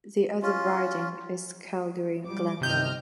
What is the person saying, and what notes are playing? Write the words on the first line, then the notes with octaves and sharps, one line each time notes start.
The other riding is Calgary-Glenmore.
C#4 F4
G3 D6
G1 C3 D#5 F6 G6